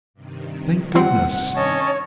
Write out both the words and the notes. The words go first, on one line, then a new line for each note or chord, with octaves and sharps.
Thank goodness!
G2 C3 D#3
G3 C4 F#5
C#4 C#5 D#5 A5